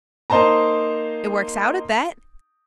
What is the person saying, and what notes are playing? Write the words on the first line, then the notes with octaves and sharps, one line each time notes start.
"It works out at that."
A#3 D#4 C5 A5 A#5